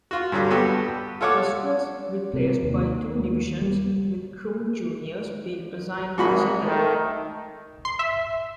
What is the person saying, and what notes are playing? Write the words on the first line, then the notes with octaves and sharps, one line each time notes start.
This was replaced by two Divisions with Troon Juniors being assigned to the Second.
F4 F#4
G2 D3 F#3 G3
B3 F#4 G4 A4
F4 A4 C#5 F#5 D6
C3
D#2
G3
G#1 G#2 F#4 B5
D#3 A3
C6
E5